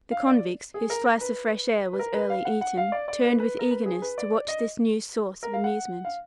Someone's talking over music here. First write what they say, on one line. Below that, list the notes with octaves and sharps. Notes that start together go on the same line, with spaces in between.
The convicts--whose slice of fresh air was nearly eaten--turned with eagerness to watch this new source of amusement.
F5
D5
G#4
A#4
A#4
B4
B4
A#4
B4
F5
F#5
F#5
F5
D5
D5
B4
B4
A#4
B4
G#4
B4
D5
D#5
A#4
F5
F#5
F5